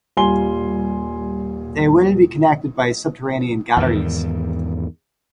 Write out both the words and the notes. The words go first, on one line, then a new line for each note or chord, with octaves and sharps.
They will be connected by subterranean galleries.
D#1 G3 F4 G#5 C6 G7
E2 G#2 D#3